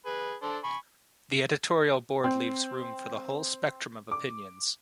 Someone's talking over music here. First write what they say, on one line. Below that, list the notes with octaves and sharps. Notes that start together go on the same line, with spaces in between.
The editorial board leaves room for the whole spectrum of opinions.
G#4 B4
D4 A4 C5
G#5 B5 C#6
C4
D6